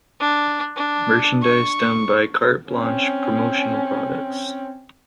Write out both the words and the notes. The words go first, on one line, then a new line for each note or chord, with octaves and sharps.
Merchandise done by Carte Blanche Promotional Products.
D4
D4
C#6
C4 C#4